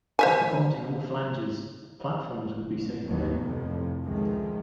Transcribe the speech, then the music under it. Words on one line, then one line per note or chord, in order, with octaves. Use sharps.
After bolting all flanges the platforms would be safe again.
C5 E5 G#5
F1
F#1 D#2 D#3 F#3 B3
F1 F2 A2 C3 F3
C#2 D#3 F3 G#3 A3